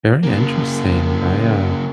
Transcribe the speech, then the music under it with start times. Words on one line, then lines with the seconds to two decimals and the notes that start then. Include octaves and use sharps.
Very interesting. I, uh
0.23 C#3 A#3